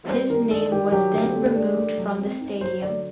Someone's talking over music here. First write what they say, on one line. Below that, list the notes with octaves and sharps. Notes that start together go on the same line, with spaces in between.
His name was then removed from the stadium.
G3 C5
D#3 A#4
D4 A4
D#3 G4
F#3 G4
D3
A3
D4
A3
F#3
C4
D#4
F#3 C5
D3 D5